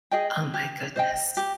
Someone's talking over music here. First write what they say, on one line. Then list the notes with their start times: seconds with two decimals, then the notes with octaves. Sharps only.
Oh my goodness.
0.11 G#4 D#5 G5
0.54 G4
0.96 C5 D#5 G5
1.37 G4